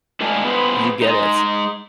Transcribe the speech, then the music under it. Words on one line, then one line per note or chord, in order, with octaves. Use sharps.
You get it.
A2 G#3 A#3 D4 D5 G#5
B3 G#4 B4 C5
G#3 D#4